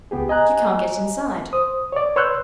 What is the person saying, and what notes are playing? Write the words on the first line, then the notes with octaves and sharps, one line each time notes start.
"You can't get inside."
C#2 B3 G4 G#4
D#5 G#5 A#5 F#6
C5 D#6
C#5 D5
B4 C#5 C6 E6 F#6 G6